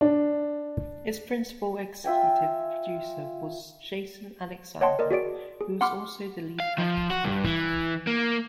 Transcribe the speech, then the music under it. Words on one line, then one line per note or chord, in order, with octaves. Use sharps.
Its principal executive producer was Jason Alexander, who was also the lead actor.
D4
F4 E5 G5 G#5
C#5 D#5 F#5 G5 A5 C6
A#4 D5 D#5
F#4 G#4 D5 D7
G#4
F#5 B5 C6 D6 F6
F5
F3
F#4
G2
E3
A#3